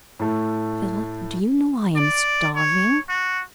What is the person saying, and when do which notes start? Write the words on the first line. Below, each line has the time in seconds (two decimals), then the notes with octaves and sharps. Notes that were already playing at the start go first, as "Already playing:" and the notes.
Philip, do you know I am starving?
0.19 A2 A3
1.96 D5
2.55 C#5
3.09 F#4